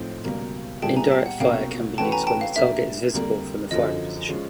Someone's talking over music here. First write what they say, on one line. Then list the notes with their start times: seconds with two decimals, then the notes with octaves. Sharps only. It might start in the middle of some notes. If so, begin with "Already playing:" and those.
Indirect fire can be used when the target is visible from the firing position.
Already playing: A2 F3 A3 C4 D#4
0.25 C#2 B2 G3 A#3
0.82 A#2 G3 B3 E4 G#4 G5 A5
0.96 G#5 A#5
1.12 G5 A5
1.26 F#5
1.40 C2 B2 F#3 A#3 C#4 F5 G5
1.98 E3 A3 C#4 F#4 B4 G5 A5
2.12 G#5 A#5
2.27 G5 A5
2.41 F5
2.56 A#2 F#3 A#3 D4 G4 E5
3.14 F2 D3 G3 A#3
3.71 F#2 D3 F3 D#5
4.29 F3 G#3 C#4